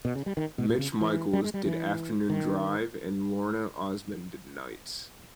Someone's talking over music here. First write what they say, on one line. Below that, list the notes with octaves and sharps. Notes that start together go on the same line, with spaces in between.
Mitch Michaels did afternoon drive and Lorna Ozmon did nights.
B2
C#3
G3
D#3
B2
A#2
C#3
E3
G3
G#3
G3
E3
D#3